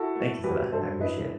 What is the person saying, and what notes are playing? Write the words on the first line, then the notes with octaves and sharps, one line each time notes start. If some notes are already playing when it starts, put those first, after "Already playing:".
thank you for that. I appreciate it.
Already playing: E4 F#4 A4
A3
F#3 G4 B4
G2 A4 C5
E4 B4 D#5